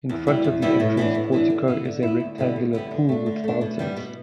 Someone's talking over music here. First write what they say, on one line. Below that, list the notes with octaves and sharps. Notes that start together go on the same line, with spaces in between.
In front of the entrance portico is a rectangular pool with fountains.
E2
B2 G3 B3 E4
E2
B2 G3 B3 E4
A2
E3 B3 D4
A2
E3 B3 D4
D3
B3 E4
D3
B3 E4
D2
D3 G3 B3 E4
D2
D3 G3 B3 E4
D3
A3 D4
D3
A3 D4
B2
G3 B3 D4
B2